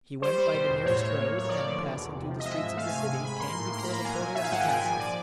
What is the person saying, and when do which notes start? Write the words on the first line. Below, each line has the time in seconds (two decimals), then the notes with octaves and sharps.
He went by the nearest road, and passing through the streets of the city, came before the portal of the castle.
0.22 G3 C5
0.38 G3
0.54 B2
0.70 E2
0.86 A2 C#5
1.02 A2
1.18 A#3
1.33 A2 C#5
1.49 F3 D5
1.65 D3
1.80 B2
1.97 E2
2.13 C3
2.28 F3
2.40 D#5
2.45 G#3 E5
2.60 G#2
2.76 A3 F5
2.87 G#5
2.92 C3
2.98 G#5
3.08 G#3 G#5
3.25 G#2 B5
3.40 A#3 C6
3.57 A2
3.72 A#3 C6
3.78 A#5
3.84 B5
3.89 A#3
3.94 A#5
4.05 F#3 G#5
4.20 A#2
4.35 D#3 E5
4.43 F5
4.52 G#2 F#5
4.60 G5
4.68 A#2 G#5
4.84 F3
4.99 D5